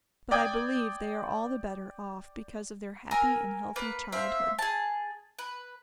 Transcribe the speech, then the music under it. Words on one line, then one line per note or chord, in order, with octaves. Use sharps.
But I believe they are all the better off because of their happy and healthy childhood.
D5 G5 D#6 G#6
A#4 G#5 E6
A#3 B4
C4 E5 F5
G#4 A5
B4